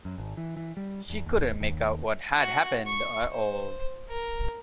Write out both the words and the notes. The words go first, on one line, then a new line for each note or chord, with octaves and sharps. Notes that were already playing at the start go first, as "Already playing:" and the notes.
She couldn’t make out what had happened at all.
F#2
G#1
E3
E3
G3
E2
D#2
D#2
F#4
C#6
C5
A#4